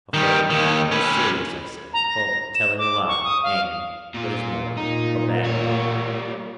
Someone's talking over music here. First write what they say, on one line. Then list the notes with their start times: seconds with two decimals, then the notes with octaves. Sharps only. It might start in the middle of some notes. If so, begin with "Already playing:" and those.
A fault which is most serious, I said; the fault of telling a lie, and, what is more, a bad lie.
0.14 D#3 G3
0.50 D#2 D#3
0.91 C#4 B4
1.93 A#5
2.09 A#6
2.54 E7
2.78 D6
3.08 C#6
3.24 D#6
3.43 F5
4.14 A#2 F4
4.77 A#2 D#4
5.44 G3 C#5